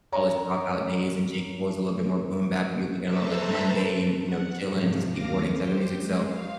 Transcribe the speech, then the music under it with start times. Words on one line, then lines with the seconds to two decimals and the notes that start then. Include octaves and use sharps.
college dropout days. And J. Cole is a little bit more boom bap, but you're thinking about like mundane, you know, chilling, skateboarding type of music, so
0.12 C#5 A#5
3.04 A4 B4 C5 E5 A5 A#5
4.23 F#5
4.68 G#2 C3 F3
5.10 D#2 F5 D6 A#6
5.59 G4 C5
5.97 G#3
6.28 F5